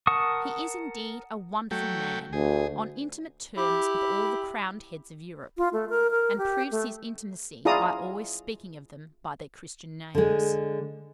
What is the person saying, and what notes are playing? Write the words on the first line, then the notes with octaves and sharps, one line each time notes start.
He is, indeed, a wonderful man--on intimate terms with all the crowned heads of Europe, and proves his intimacy by always speaking of them by their Christian names.
A#4 F#5 A5 C#6 D#6
F#3 A3 G5
D2 G#4
E4 G4
F4
A3
A#4
A#4
G4
A3
E4 F4 G#4 D5 A#5 D#6
D3 G#3